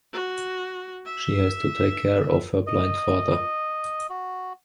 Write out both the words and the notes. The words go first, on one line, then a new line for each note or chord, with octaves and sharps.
She has to take care of her blind father.
F#4
E5
D#5
F#4